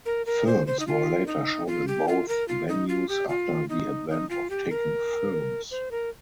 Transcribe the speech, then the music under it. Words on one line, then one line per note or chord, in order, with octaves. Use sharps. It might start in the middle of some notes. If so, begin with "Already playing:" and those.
Films were later shown in both venues after the advent of talking films.
A#4
A#4
C5
C5
D#4
F4
D#4
F4
G4
F4
A#4
F4
D#4
F4
G4
F4
D#4
D#4
F4
G4
A#4
C5
A#4